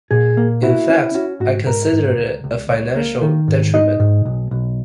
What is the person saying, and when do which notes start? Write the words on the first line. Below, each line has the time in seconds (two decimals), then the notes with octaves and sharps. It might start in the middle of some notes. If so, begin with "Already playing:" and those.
In fact, I considered it a financial detriment.
0.11 A#2 G#4
0.37 A#3
0.63 E4 F#4
0.89 C#4
1.15 C#4 F#4
1.40 G#2 F#4
1.66 G#2 A#4
1.92 G#2
2.18 C#2
2.44 C#2
2.70 C#2 C#5
2.96 A#3
3.22 D#3
3.48 G#2
3.74 D#4 D#5
4.00 G#2
4.25 B1
4.51 B1